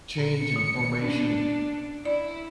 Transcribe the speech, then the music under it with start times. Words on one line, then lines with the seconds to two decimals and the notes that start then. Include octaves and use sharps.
change in formation
0.18 A#2 C#7
0.56 D#3
1.04 B3 C#4 D4
2.06 E4 D5